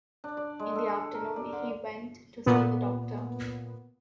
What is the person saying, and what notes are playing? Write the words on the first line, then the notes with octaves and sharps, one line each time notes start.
In the afternoon he went to see the doctor.
D4
D5
G#3
A4
A#4
D5
D3
A#2 B3